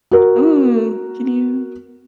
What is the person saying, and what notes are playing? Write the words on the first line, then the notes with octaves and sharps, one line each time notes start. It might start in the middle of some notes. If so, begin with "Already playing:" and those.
"Ooh, can you
F#4 A#4